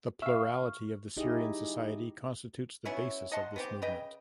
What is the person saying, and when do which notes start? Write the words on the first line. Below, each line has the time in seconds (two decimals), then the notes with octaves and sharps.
The plurality of the Syrian society constitutes the basis of this movement.
0.22 E5 F5 C#6 F6
1.17 D#4 E4 G4 G#4 D#5
2.85 F#3 B3 C#4 E4
3.32 D#5 F#5 A5 C6
3.56 B3 C4 G4
3.82 C#3 B4 D#5 G5